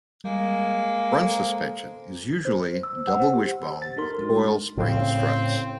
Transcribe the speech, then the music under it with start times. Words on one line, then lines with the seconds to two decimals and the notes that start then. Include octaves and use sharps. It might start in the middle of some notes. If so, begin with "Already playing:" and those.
Front suspension is usually double wishbone with coil spring struts.
0.24 G3 G#3 A#3
1.11 A4 C5 A#5
2.45 C5
2.83 E6
3.07 F#5
3.19 C5
3.33 G4
3.82 A6
3.97 D4 D#4 A4 A#4 C6
4.19 G#3 F#4
4.77 A2 C#3 C4